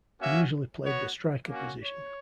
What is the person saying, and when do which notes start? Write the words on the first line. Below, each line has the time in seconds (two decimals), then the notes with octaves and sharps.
He usually played the striker position.
0.21 A#3 C#4 F#4 E5
0.85 B3 F#4 C#5
1.49 A#3 C#4 F#4
1.81 C#5